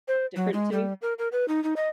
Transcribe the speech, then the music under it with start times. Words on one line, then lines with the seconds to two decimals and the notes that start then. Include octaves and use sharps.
different to me.
0.08 C5
0.36 F#3
0.53 G#3
0.72 G3
1.02 A#4
1.19 A#4
1.32 B4
1.48 D#4
1.64 D#4
1.76 D#5